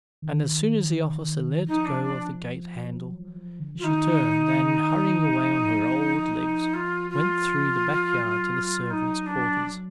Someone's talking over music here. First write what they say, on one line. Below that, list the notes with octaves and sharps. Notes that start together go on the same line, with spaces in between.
And as soon as the officer let go of the gate handle she turned and, hurrying away on her old legs, went through the back yard to the servants' quarters.
D#3
F3 D#4
D4
D4
F#3
F3
F#3
F3
D3
F3 F4
D#3 D#4
F3
F4
F4
F#3
D#4
D4
F#3